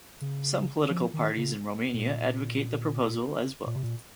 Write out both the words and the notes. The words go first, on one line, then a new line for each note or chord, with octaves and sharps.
Some political parties in Romania advocate the proposal as well.
C#3
F3
D#3
C#3
A#2
A#2
C3
A#2